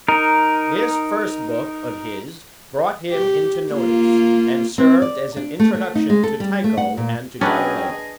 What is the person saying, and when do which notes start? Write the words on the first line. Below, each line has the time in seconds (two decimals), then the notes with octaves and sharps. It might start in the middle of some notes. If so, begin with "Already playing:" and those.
This first book of his brought him into notice, and served as an introduction to Tycho and to Galileo.
0.08 D#4 A#4
3.12 G4
3.73 A#3 F4
4.78 C4
5.02 D5
5.36 D4
5.60 A3
5.75 A3
5.95 D#4
6.10 G#3
6.24 A4
6.40 G3
6.64 A3
6.78 F#5
6.97 A#2
7.41 F#3 C#4 D4 G#4 B4 D#5 G5